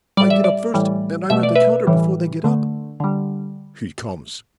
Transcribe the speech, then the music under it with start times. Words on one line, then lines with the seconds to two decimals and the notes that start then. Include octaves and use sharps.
I get up first, and I'm at the counter before they get up.' He comes.
0.17 A2 G3 D5
0.30 E5
0.44 D5
0.74 A2 E3 G3
1.30 B2 A3 E5
1.43 D5
1.56 B4 E5
1.87 A2 E3 G3
2.44 D3 A3
3.00 D3 G3